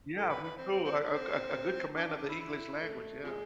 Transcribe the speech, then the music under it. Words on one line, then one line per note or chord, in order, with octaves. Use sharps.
Yeah, me too. A a a a good command of the English language. Yeah.
A4
B4
B4
C4
C4
C4
D4
C4
D4
D4
D4
E4
E4
A3
C3 F3 G#3